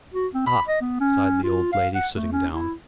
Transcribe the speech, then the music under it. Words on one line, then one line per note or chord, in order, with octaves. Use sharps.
"Ah," sighed the old lady, sitting down.
F#4
C4
B5
D#5
B3
C#4
F4
F5
F#5
A3
C#4
E4